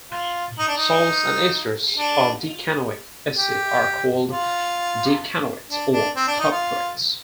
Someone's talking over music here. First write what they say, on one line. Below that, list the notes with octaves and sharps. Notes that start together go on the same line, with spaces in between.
Salts and esters of decanoic acid are called decanoates or "caprates".
F4
D#4
D4
D#4
D4
G4
F4
D4
D4
C4
D4
D#4
F4